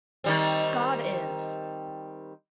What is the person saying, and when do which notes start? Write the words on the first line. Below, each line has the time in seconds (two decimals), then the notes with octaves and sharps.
God is.
0.24 D#3 G3 C4